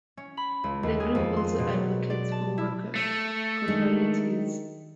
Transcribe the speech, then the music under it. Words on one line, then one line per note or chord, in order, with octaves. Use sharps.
The group also advocates for worker cooperatives.
C#4
B5
C#2
D#2
G#4
F2
C6
B2
F#3
D5
A5
E4
A3
D#3 G#3 D4